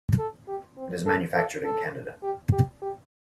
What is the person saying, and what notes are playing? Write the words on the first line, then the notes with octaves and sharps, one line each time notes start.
It is manufactured in Canada.
A4
G4
C4
A4
A4
A4
G4
G4
G4